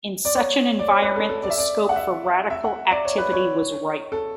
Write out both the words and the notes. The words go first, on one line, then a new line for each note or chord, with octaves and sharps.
In such an environment the scope for radical activity was ripe.
D5
C#5
D5
C#5
B4
A4
A4
D5
E5
D5
F#5
E5
E5
F#5
D5
C#5
B4
C#5
A4